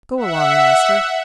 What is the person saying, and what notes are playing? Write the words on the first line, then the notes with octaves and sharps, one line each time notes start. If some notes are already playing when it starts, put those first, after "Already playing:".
'Go along, master!
E5 F#5